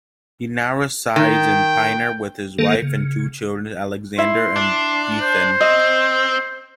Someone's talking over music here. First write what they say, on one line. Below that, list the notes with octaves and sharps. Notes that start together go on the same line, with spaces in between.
He now resides in Pinner with his wife and two children, Alexander and Bethan.
D#3 G5
D#3 A#3 A4
C#3
E4 E5 C6
D4
C5
C4 D#5